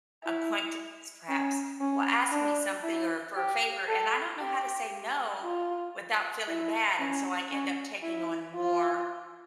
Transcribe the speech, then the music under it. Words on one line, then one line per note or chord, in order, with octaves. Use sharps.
acquaintances perhaps will ask me something, or for a favor and I don't know how to say no without feeling bad, and so I end up taking on more
E4
C#4
C#4
D4
E4
G4
A4
G4
F4
E4
C#4
C#4
E4
F4